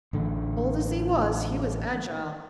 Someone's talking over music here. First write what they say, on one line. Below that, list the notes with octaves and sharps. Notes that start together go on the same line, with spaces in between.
Old as he was, he was agile.
A1 D3